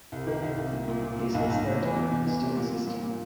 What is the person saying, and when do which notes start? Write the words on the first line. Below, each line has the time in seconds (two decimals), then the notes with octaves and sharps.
He sits there to administer the system.
0.12 C2
0.27 D#3
0.42 C2
0.58 C2
0.73 A#2
0.88 A#2
1.04 A#2
1.19 A#2
1.35 B1
1.50 B1
1.65 A2
1.80 E3
1.96 E2
2.11 E2
2.26 E3
2.42 C3
2.57 A#2
2.72 A#2
2.87 A#2
3.02 A#2